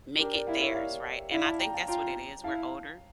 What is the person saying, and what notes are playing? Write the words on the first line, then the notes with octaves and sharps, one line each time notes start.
make it theirs, right? And I think that's what it is. We're older,
D4 G4 A#4
A#4 D5
E4 D5 F5
C#5 E5
D5 F5
E4 D5 F5
F5 A5
G5 A#5
F5 A5
F4 G5 A#5
E4 F5 A5